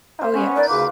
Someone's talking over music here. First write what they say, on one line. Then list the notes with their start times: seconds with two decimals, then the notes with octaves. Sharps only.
Oh yes.
0.21 C5 E5
0.33 B3 C#4 B4 F#5
0.56 D#4 A#4 B4 D5
0.69 D2 C#3 F4 B4 D5 D6